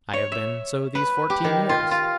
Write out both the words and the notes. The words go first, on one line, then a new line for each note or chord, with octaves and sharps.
"I have been so these fourteen years."
C#5
E5
B4
G4
D#3
F4
F4